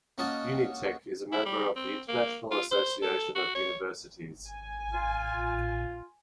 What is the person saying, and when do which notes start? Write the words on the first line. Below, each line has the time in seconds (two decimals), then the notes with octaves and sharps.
Unitec is a member of the International Association of Universities.
0.18 A#3 C#4 F#4 D#5 A5
1.32 E4
1.45 G3
1.76 C4
2.08 A#3
2.51 F4
2.72 C5
3.02 A4
3.36 F#4
3.55 C#5
4.48 G#5
4.92 F4